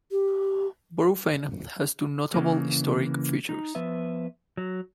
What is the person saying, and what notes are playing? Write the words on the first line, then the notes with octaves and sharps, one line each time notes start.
Borough Fen has two notable historic features.
G4
C#3 E3 A#3
D#4
F3 B3 B4 E5
F#3